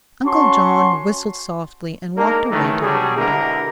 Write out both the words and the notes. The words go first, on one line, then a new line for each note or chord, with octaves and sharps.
Uncle John whistled softly and walked away to the window.
C#4 F#4 A5 C6 C#6
G#3 A#3 D4 D#4 A#4
G2 D#3 E3 F#3 A3
F#3 G3 D4 F#4 G#4
B2 D3 G#3 E4 G4 A#4